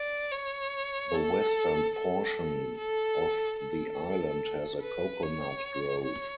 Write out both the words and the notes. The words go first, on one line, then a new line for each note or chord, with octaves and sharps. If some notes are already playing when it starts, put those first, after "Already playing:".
The western portion of the island has a coconut grove.
Already playing: D5
C#5
A4
A4
A4
A4
B4
C#5
C#5